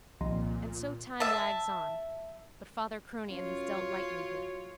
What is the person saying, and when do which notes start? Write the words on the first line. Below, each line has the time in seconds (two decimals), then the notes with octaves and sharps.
And so time wags on: but father Cronion has dealt lightly here.
0.21 C2 A#2 D#3 F3
1.20 E5 A5
3.30 F#2 F4 C#5
3.75 F#3